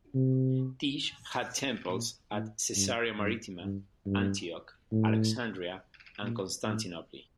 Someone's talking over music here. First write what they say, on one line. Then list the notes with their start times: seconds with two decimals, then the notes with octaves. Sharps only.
Tyche had temples at Caesarea Maritima, Antioch, Alexandria and Constantinople.
0.15 C3
1.89 A#2
2.32 A2
2.76 G2
3.19 G2
3.63 G2
4.06 G2
4.92 A2
6.23 A#2
6.66 A2